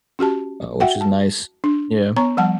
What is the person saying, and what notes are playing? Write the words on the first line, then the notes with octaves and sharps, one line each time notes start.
uh, which is nice. Yeah,
C#4 F#4 G4 A5
F#4 E5 F#5 G5
A5
D4
B3 C#5 A#5 C#6
F3 G3 F#5 A5